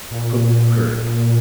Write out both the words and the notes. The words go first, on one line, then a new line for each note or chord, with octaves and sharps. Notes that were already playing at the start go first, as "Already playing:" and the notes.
Cooked curd.
A#2